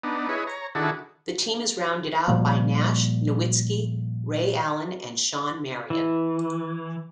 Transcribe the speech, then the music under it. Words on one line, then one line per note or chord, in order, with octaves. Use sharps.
The team is rounded out by Nash, Nowitzki, Ray Allen, and Shawn Marion.
B3 D4 D#4
E4 G#4 B4 C#5 D#5
C#5 A#5
D#3 D4 E4 F#4 G#4 A4
A#2 F3 G3 A#3
E3